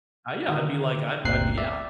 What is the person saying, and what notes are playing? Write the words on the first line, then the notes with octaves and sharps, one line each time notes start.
Uh, yeah, I'd be like, "I'd I'd be out,"
D3 D#3
G1 D2 A#2 C4 F#6 C7
D5 E5